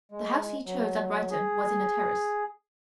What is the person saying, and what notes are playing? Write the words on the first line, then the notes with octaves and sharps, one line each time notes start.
The house he chose at Brighton was in a terrace.
G#3
F#3
G#4